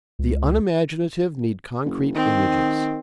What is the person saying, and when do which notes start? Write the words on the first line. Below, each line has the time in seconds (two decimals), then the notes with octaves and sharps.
The unimaginative need concrete images.
0.19 C#2
1.85 F#1
2.15 D#3 C4